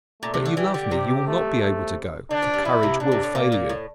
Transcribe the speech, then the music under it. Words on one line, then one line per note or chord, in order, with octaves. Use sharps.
But you love me, you will not be able to go, for courage will fail you.
A#2 A3
C3
D3
E3 G4
D3
C3 G4
A3
A3
D3 D4
F3
G3
F3 E4
C3
A#2 D4
C3
A2
A#2 A#3
A#2
A2